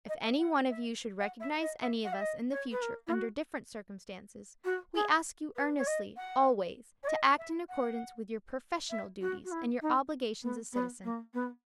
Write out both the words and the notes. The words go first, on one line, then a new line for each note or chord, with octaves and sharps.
If any one of you should recognise any of us in the future under different circumstances, we ask you earnestly always to act in accordance with your professional duties and your obligations as citizens.
D#5
E5
F#5
E5
F#5
E5
D#5
E5
F#5
E5
D#5
C#5
B4
A#4
E4
F#4
F#4
G#4
B4
C#5
D#5
F#5
C#5
D#5
E5
F#5
E5
F#4
F#4
E4
D#4
B3
B3
A#3
B3